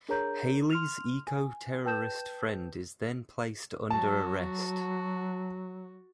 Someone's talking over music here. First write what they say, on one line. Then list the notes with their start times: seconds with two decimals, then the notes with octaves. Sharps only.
Hayley's eco-terrorist friend is then placed under arrest.
0.09 D4 G#4 A#4 C#5 A#5 G6
0.70 C6 F6 F7
1.27 G#5
1.85 B4 G5 A5 G6 E7
3.91 F#3 F#4 A5